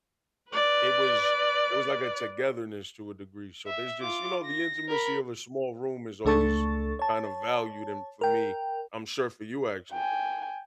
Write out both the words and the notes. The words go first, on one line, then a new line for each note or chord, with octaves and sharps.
it was it was like a togetherness to a degree, so there's just, you know, the intimacy of a small room is always kind of valued and for me I'm sure for you actually.
B4 D5
E5
F4 D6
A#6
A#4 B5
C#2 A3 D4 A4 C#6 A6
C#5 A5
A#4 G5
G5 G#5